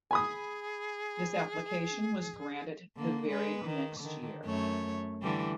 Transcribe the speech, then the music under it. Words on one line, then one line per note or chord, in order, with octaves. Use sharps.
This application was granted the very next year.
G#4 G#5 B5 D#6
D3 A#3
G#3 B4
D#3
D3 D#3
F#2 A3 C#5
D3 E3 G3